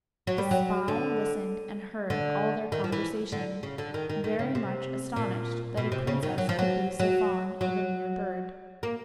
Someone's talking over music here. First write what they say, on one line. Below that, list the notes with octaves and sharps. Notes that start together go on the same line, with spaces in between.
The spy listened and heard all their conversation, very much astonished that a princess could be so fond of a mere bird.
F#3
G3
F#3
D3
D3
D#3
F3
E3
D3
C#3
D3
D#3
D#3
D#3
C#3
C3
A#2
B2
C3
C#3
D#3
F#3
F3
F#3
F#3
F#3
A#3